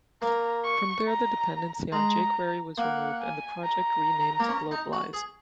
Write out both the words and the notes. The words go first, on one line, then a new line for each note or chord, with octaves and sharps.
From there the dependency on jQuery was removed and the project renamed to Globalize.
A#3 A#5
C#6
A#5
G#3 A#5
A#3 F#5
G#5
A#5
A#3
C#4
D#4
F#4
G#4